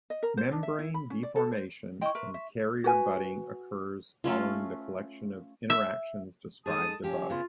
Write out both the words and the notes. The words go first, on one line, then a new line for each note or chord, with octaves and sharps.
Membrane deformation and carrier budding occurs following the collection of interactions described above.
D#5
A#4
C5
D4
E5
E4
B5
C#4
D5
A4
C5
E4 D#5 G5 C6 C#6
A#4 B4 E5
E5
F#4 B4 G#5
A3 C#4 F4
E5
G#3 D#4 G#4 A4 A5 D#6
F3 F#3 C#4 G4
C#3 B3 F4